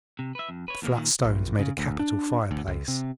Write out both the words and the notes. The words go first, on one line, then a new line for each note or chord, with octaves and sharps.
The flat stones made a capital fireplace.
C3
B4 E5
F2
B4 C#5
E2 A#3
A#2 D#3
A#1
C#3
D2
D4
D2
C#2
C3